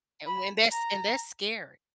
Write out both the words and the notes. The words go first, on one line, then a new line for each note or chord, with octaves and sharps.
and when that's and that's scary.
B5
A#5